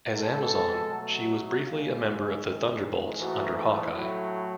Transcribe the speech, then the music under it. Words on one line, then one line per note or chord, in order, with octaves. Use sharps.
As Amazon, she was briefly a member of the Thunderbolts under Hawkeye.
B2 G#3 A4
B2 F#3 A3
C#3 G#3
G#2 D#3 G#3
G#2 E3 A3 F#4
A2 F#3 A3 E4